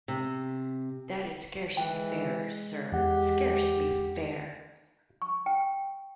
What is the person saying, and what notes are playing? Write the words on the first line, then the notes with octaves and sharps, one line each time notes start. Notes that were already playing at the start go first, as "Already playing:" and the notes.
That is scarcely fair, sir, scarcely fair!
C3
E3 G#3 G5
E2 G4 F#5
C#6
G5